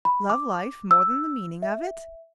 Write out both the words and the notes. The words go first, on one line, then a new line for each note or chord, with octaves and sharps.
"Love life more than the meaning of it?"
B5
D6
E6
E5